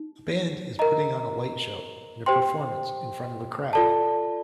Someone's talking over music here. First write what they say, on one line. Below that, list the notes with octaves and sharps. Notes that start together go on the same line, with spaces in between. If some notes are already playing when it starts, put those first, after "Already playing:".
A band is putting on a light show and a performance in front of a crowd.
Already playing: D#4
A#4 D#5 A#5
G4 C5 G5 C6
F4 A4 D5 A5